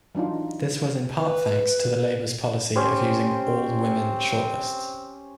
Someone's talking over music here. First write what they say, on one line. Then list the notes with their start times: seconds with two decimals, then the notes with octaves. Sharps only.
This was in part thanks to Labour's policy of using all-women shortlists.
0.15 E3 F#3 D4 D#4 F4
1.20 B4
2.76 C4 C#4 G4 C5